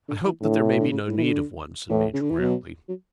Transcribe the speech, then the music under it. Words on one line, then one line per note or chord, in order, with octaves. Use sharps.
"I hope there may be no need of one," said Major Grantly.
D3
E3
A2 D3
D3
C#3
A2
E3
D3
A2 E3
C#3
D3
E3
B2 F#3
F#3